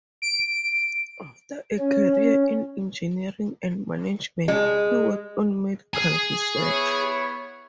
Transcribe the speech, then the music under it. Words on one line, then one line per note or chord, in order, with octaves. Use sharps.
After a career in engineering and management, he worked on medical research.
D7
C#4
C#4
G#3
G#4 G#5
B3 E4 C#5